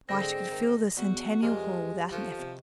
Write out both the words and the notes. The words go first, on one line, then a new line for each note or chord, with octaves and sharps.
Why, she could fill the Centennial Hall without an effort.
G#2 D3 G#3 C4 D4 G4 A4 A#6
D#3
E2 F#4
F2 F3 G#3 D4 F4 G4 A#4 D#5
D#3 F3 F4 F#4 A4
C3